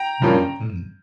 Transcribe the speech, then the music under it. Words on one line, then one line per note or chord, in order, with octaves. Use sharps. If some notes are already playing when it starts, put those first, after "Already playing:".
Mhm, mhm.
Already playing: G5 A#5
G2 F3 A#3 C#4